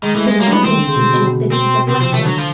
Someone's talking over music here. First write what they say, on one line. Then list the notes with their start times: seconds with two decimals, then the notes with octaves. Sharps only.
But your book teaches that it is a blessing.
0.03 D#3 G#3
0.15 E3 A3
0.27 G3 G#3
0.40 F#3 A#3
0.47 C4
0.52 E3 B3
0.64 D#3 C4
0.77 D3
0.87 C#3
0.96 B2
1.14 B2
1.52 C4
1.88 C3 C4
2.01 F3 C4
2.13 D#3 A3
2.25 D3 F#3
2.38 F3